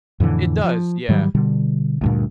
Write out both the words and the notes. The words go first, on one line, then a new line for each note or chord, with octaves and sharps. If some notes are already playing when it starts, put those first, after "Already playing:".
It does, yeah.
F2 A2 D3 E3
F3
G#2 D#3 F#3 G3
B2 D3 G3
D2 G2 A#2